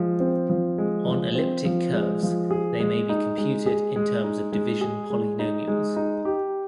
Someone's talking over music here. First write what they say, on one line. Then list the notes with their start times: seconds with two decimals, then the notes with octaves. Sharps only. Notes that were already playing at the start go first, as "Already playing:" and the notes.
On elliptic curves they may be computed in terms of division polynomials.
Already playing: F3 G#3
0.20 C4
0.50 F3
0.78 G#3
1.07 F3
1.35 C4
1.65 F3
1.93 G#3
2.23 F3
2.51 G#4
2.80 G#3
3.09 D#4
3.38 G#3
3.66 G#4
3.96 G#3
4.24 D#4
4.52 G#3
4.81 G#4
5.10 G#3
5.39 D#4
5.68 G#3
5.96 D#4
6.25 G4